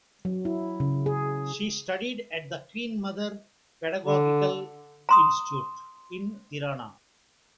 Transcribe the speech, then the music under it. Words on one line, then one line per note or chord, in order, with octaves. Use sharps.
She studied at the Queen Mother Pedagogical Institute in Tirana.
F#3
E4
C#3
G#4
D3
A#5 C6 D#6